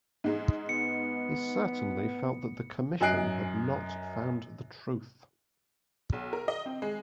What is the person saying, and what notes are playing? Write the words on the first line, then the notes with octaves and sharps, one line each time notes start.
He certainly felt that the Commission had not found the truth.
G#2 G#3 D#4
B3 C#7
F#2 D#5 G#5 F#6 C7 D7
B1
A#4
D#5
C4
G#3